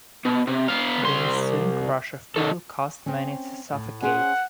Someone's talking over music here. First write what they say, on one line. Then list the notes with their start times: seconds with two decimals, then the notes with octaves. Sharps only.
The ensuing crush of people caused many to suffocate.
0.25 B2
0.47 C3
0.68 B3 F5
1.02 C2 C6
2.36 D#3 A4
3.06 C4 C#4
3.73 A2
4.02 C#4 G#4 C5 F#5